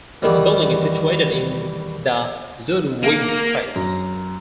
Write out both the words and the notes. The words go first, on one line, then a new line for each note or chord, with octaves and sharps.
Its building is situated in the Ludwigstrasse.
E2 D#3 G3
A#3
F#2